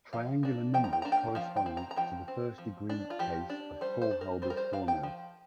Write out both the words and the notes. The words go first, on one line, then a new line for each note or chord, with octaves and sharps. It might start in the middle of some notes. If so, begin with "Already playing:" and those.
Triangular numbers correspond to the first-degree case of Faulhaber's formula.
F3 F5
A#3 D4
F3 G5
A#5
G5
A#3 D4 A#5
G5
F3 F5
G5
C4
A#5
A#5
F3 G5
C4
F3
D4
F4
F3 G4
D4
G3 C5
C5
D4
A#4
G3 C5
A#4
C5
D4 F5
G5
F3